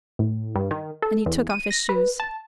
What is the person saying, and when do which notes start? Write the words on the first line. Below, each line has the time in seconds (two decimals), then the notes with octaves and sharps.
And he took off his shoes.
0.19 A2
0.56 G2
0.71 D#3
1.02 A4
1.26 E2
1.50 D#7
1.71 A#6
1.89 B4
2.20 A5